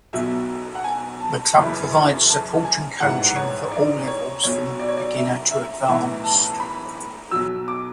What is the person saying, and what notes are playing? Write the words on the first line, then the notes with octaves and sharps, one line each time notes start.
The club provides support and coaching for all levels from beginner to advanced.
B1 B2 F#3 E5
F#5
G#5
A5
F#1 F#2 E3 B5
C#6
A5
G#5
A1 G#2 E3 F#5
C#5
D5
C#5
B1 B2 F#3 C#5
D5
C#5
D5
E5
E5
B1 A2 E3 E5
A5
B5
B1 B2 F#3 E6
D6